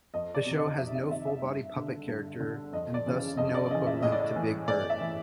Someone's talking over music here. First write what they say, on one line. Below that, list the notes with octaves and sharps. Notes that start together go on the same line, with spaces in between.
The show has no full-body puppet character and, thus, no equivalent to Big Bird.
F2 D#5
D5
C3 D#3
D#5
F2 E5
E5
C3 D#3 E5
E5
G2
D3
G2
D3
F2 D#5
D5
C#3 E3
F2 D#5
D5
C#3 E3 D#5
E5
A2 D#5
D5
D#5
E3
A2 D5
E5
E3